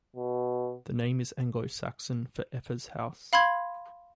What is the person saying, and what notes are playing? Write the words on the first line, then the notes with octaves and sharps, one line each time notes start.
The name is Anglo-Saxon for "Effa's house".
B2
F5 B5 C6 G#6